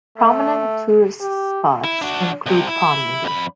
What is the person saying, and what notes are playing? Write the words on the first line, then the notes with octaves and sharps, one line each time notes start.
Prominent tourist spots include Ponmudi.
A3
G4
E4
D4 F#4
C2 C3
E4
F2 B5